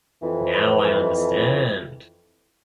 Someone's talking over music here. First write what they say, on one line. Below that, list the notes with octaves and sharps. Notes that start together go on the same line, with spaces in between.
Now I understand.
F2 E3